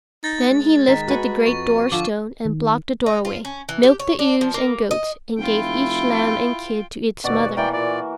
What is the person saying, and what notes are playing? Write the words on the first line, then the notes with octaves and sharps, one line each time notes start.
Then he lifted the great doorstone and blocked the doorway, milked the ewes and goats, and gave each lamb and kid to its mother.
D#4 A6
G#3
D#3 D#5 A#5 B6
F#4 B4 G#5
F2 C#6
D3 F3 D6
D#3
D#4
F4
C#4
E3
G4
C#5
D4
F3
A#3
D#5
F1 E4 F4 G5
D#2 B2 F#4 D5
E3 A#3 D5 G5
A#2 D5